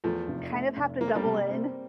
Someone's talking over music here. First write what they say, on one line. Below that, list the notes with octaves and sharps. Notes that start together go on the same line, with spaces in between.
kind of have to double in
E2 F3 A3
F1
A3
F1
A#3 C4
A3
G3 A#3
C3
C4